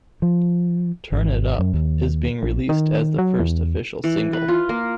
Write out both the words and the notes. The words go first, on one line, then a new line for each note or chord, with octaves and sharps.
"Turn It Up" is being released as the first official single.
F3
G#1
F#2
D#2
A#1
D#3
F#3
E2
E3
B4
F4
A#3